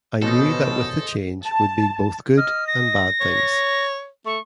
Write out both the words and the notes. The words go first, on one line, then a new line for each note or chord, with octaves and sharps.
I knew that with the change would be both good and bad things.
A1 B2 D#4 G#4 A4 C5 D#5
A5
D#5 F6
A#6
C#5
A3 C#6